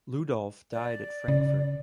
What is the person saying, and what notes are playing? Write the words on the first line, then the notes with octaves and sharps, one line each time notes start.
Ludolf died at Frankfurt.
D5
C#3